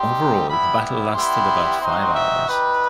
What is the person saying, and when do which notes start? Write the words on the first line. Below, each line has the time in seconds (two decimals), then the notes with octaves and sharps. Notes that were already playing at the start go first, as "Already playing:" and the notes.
Overall, the battle lasted about five hours.
Already playing: G3 C4 D#4 G4 C6
0.48 G3 B3 E4 B5
1.15 G3 B3 E4 G4 C6
1.81 C4 D#4 F#4 C6
2.14 E5
2.48 G3 D#4 G4 B4